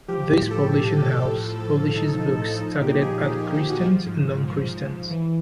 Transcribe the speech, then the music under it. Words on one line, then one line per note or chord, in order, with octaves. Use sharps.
This publishing house publishes books targeted at Christians and non-Christians.
F3 G4
A2 G4
A2 A4
F3
F3
A2
F3
A2
A2
F3 D#4
F3
A2
F3 D#4
A#2 G4
A#2 G#4
F3 G#4
G#4
F3
G4
A#2 F#4
F3
G#2
G#2
F3
F3
G#2
E3